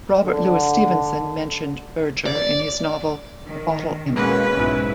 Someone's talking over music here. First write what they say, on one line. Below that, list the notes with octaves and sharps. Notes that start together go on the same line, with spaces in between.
Robert Louis Stevenson mentioned Berger in his novel "The Bottle Imp".
D3
D5
D#3
B2 G#3 A#3 C#4 F#4 B4
B1 G#2 E4